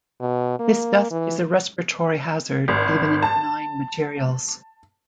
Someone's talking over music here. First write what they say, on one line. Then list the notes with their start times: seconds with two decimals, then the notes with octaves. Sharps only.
This dust is a respiratory hazard, even in benign materials.
0.21 B2
0.59 A#3
1.11 E3
2.68 G#1
3.23 A5